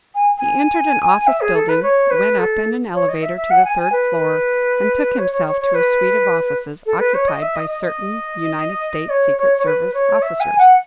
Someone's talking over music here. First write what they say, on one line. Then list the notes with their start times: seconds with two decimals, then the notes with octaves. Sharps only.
He entered an office building, went up in an elevator to the third floor, and took himself to a suite of offices occupied by certain United States secret service officers.
0.14 G#5
0.38 G#5
1.27 E5
1.41 G#4
1.55 A4
1.68 B4
1.82 C#5
2.10 B4
2.38 A4
2.94 C#5
3.08 D#5
3.22 E5
3.37 E5
3.50 F#5
3.64 G#5
3.78 G#5
3.92 B4
5.18 C#5
5.31 C#5
5.46 C#5
5.60 C#5
5.74 B4
6.86 A4
6.99 B4
7.14 C#5
7.28 D#5
7.42 E5
7.55 D#5
7.69 D#5
7.83 D#5
9.09 C#5
9.38 C#5
9.58 C#5
9.66 B4
9.93 C#5
10.22 E5
10.40 G#5
10.58 F#5